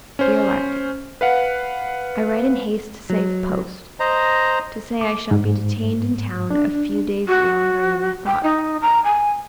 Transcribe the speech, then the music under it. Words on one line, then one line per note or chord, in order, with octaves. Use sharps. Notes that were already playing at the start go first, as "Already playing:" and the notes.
'DEAR LARKIN,--I write in haste to save post, to say I shall be detained in town a few days longer than I thought.
C#4 C5
B4 F5 F#5
F#3
C5 D#5 A#5
D6
G#2
D4
F#4
G5
D#4
A#5
G#5